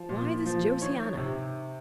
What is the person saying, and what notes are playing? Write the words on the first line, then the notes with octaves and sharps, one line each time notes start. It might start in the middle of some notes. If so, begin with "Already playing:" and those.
Why this Josiana?
Already playing: F3
A#2
F3
D#3 C#5
C3